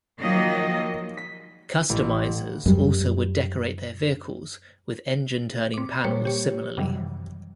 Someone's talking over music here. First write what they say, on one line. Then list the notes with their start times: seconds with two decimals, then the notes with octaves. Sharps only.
Customizers also would decorate their vehicles with engine-turning panels similarly.
0.20 D#3 F3 F#3 A#3 D#5
1.17 B6
1.89 A1
2.66 F#2 G3
5.74 C4 D6
6.04 A#2 G3 A#3 C5 C#5
6.25 G4 C#5
6.77 F#2 C3 D#3 E3 F#3 G3